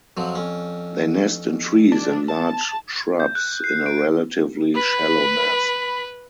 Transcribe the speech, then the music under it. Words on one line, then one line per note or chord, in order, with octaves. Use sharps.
They nest in trees and large shrubs in a relatively shallow nest.
F2 F3 F#3
F2 C#4
D4
A5
G6
F#6
C7
D7
B4 B5